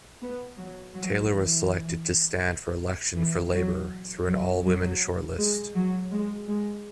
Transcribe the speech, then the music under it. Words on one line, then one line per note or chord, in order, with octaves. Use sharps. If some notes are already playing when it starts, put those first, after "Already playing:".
Taylor was selected to stand for election for Labour through an all-women shortlist.
B3
F#3
F#3
E3
E3
F#3
F#3
F#3
G#3
F#3
G#3
G#3